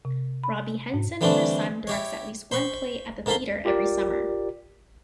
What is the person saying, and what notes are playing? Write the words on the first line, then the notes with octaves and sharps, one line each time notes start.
Robby Henson, her son, directs at least one play at the theater every summer.
C3
B5
G#2
D3 E3 G3 A3 C4 D4
E4 G4 C#5
C5 B5 C#6
G#2 A#3 A4 B5 C6
F4 G4 A#4 D5